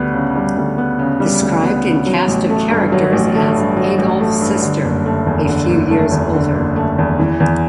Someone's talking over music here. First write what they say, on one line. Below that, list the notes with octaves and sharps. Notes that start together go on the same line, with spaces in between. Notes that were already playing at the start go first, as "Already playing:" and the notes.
Described in cast of characters as 'Adolf's sister, a few years older.
Already playing: D2 G3 B3
C#3
G3
D2
B3
C#3
G3
D2
B3
C#3
F#3
A1
A3
G2
F#3
A1
A3
G2
F#3
A1
A3
G2
D3
F#1
A3
E2
D3
F#1
A3
E2
D3
F#1
A3
E2
E3
E2